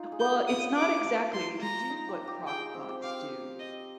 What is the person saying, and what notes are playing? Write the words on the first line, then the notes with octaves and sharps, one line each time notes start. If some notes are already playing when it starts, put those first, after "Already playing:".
Well, it's not exactly. It can do what crock pots do,
Already playing: D#4 F4
G#4
G4 G6
D#6
D6
F4 C6
A#5
D#4
G4
G4
G#4 G5
G4
C4
G4
G4 F5
D#5